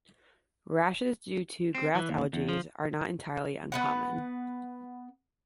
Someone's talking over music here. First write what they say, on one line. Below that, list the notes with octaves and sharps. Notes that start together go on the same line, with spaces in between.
Rashes due to grass allergies are not entirely uncommon.
C4
E3
D#2
E2
F3
B3 B4 F#5